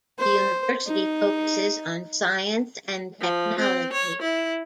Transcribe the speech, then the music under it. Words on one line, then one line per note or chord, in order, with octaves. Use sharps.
The University focuses on science and technology.
C5
D#4
F3
C4
C#5
E4